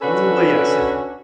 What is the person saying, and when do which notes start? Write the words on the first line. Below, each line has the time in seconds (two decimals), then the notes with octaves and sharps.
Mm, well, yes,
0.02 C#4 D4 F#4 A4 B4